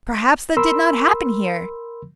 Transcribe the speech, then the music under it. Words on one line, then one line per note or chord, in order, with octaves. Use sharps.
Perhaps that did not happen here!
A#4 B5 C6 E6